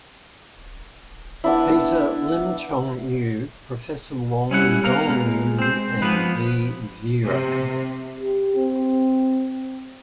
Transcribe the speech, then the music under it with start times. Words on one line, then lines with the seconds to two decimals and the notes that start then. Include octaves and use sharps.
Peter, Lim Chong Eu, Professor Wang Gungwu, and V. Veerapan.
1.44 B3 D4 E4
4.51 G3 C#4 E4 F#5
4.84 B3 A#4 F5 A#5
5.08 B2 G#3
5.59 C4 C5
6.02 F3 B3 B4
7.25 C3
8.20 G4
8.56 C4